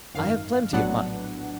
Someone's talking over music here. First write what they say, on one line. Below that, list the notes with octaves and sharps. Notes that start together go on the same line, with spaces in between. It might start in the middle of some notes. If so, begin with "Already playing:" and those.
I have plenty of money.'
G#1 F#2 D#3 F5
A#1 A2 F#3 B3 D4 F#5